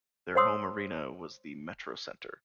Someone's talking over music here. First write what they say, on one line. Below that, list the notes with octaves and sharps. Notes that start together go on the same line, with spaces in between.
Their home arena was the MetroCentre.
C5 C#5 F#5 C6 D#6 E6